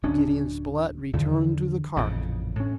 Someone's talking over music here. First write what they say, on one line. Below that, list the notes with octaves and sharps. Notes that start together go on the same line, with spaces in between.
Gideon Spilett returned to the cart.
D1 C#4 D4
E2 D3 D#3 F3
A1 F2 A#2 C#3
A2 C#4